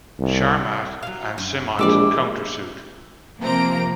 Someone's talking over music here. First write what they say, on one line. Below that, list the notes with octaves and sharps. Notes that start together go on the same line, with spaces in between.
Sharmat and Simont counter-sued.
C2
F#3 F5
F#2
A#1 E3 G#3 G4 D5 D6 E6
C3 F3 A#3 C4 A#5 D7